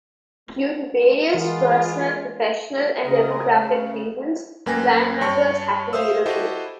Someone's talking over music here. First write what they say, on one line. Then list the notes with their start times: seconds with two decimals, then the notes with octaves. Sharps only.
Due to various personal, professional, and demographic reasons the band members had to relocate.
1.34 E3 G#3 B3 F4 G#4 A#4
3.05 C#3 G#4 A#4 D#5
3.52 A3 F5
4.66 F#2 A#3 B4 G5 G#5 A#6
5.21 G2 C#5 A5 C#6 C#7
5.93 C5 E5 F5 D#6 E6
6.26 E4 F#4 G4 A4 C5 D#5